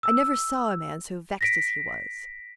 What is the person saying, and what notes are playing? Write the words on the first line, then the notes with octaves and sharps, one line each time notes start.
I never saw a man so vexed as he was.
E6
A#6 B6 D7